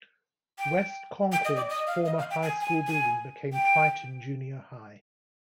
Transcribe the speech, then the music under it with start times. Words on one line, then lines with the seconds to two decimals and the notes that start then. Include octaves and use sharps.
West Concord's former high school building became Triton Junior High.
0.59 G5
1.32 G5
1.45 D#5
1.56 D5
1.70 D#5
1.87 F5
2.05 D#5
2.19 F5
2.30 G5
2.42 G#5
2.61 G#5
2.87 G#5
3.53 G5